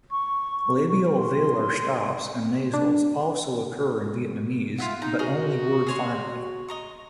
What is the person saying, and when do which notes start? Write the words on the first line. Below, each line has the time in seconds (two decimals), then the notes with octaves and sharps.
Labial-velar stops and nasals also occur in Vietnamese but only word-finally.
0.11 C#6
1.16 C6
2.73 D4
4.78 F4 E5 F#5
5.02 D#4 A#5
5.19 F#4 G#4 D#5 A#5
5.87 G#4 C#5 C6
6.68 D#5 A#5 C#6